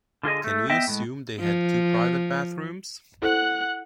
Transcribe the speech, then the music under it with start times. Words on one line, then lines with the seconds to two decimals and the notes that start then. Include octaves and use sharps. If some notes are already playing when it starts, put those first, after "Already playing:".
Can we assume they had two private bathrooms?
0.23 D3 F4 G#4 D#5
0.44 A3
0.70 B3 D#5 E5 G5
0.87 A2 G#3
1.40 F3
3.22 E4 A4 C5 F#5 F#6